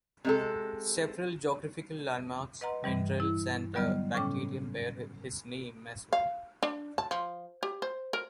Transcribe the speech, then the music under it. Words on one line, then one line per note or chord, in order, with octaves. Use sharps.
Several geographical landmarks, minerals and a bacterium bear his name as well.
C3 G#3 A4
B4 D#5 F#5 A#5 C6
G2 E3 G3
E4
D3 F#3 G3 B3 D#5 F6
A2 C#3 C#4 G5 D6
F5
D4
A5
F3
G4
C5
A#4